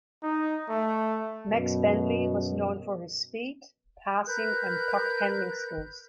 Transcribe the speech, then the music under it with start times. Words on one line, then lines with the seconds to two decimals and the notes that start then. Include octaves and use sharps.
Max Bentley was known for his speed, passing and puck handling skills.
0.22 D#4
0.69 A3
1.50 F#2 B2
4.26 A#4 B4 F#6 G6